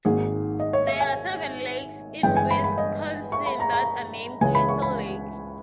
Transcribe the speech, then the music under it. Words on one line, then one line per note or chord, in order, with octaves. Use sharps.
There are seven lakes in Wisconsin that are named Little Lake.
G#1 G#2 D#3 A#3 G#4
D#5
C#5
E5
G#5
G1 G2 E3 G#3 G5
G#5
B5
B5
D#5
C#6
B5
A#5
A#5
C#2 C#3 E3 G#3 G#5
B5
C#6
B5